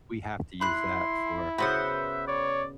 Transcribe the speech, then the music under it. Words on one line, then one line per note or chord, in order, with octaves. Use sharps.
we have to use that for,
E4 B5 C6 F#6
C#3 B3 F#4 B4 C5 E5 F#5
C#5 D5